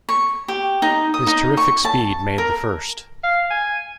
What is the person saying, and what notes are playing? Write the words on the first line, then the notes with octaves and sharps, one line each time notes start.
His terrific speed made the first.
C#6
G4
D#4
D#6
D#4
C#6
A5
A#4
F5
G#5